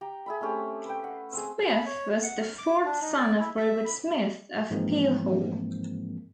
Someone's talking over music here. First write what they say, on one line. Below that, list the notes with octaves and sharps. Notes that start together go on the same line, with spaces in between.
Smyth was the fourth son of Robert Smyth of Peel Hall.
G4 G5 A#5
G#4 E5 B5
A3 C4 C#4 G4
B4 G5
F#5
C4 G#4
B5
C#5
F#5
F6
D6
D4
D#4
D5
E4
E5
B5
G#2 E3 F3 G#3 A#3 C4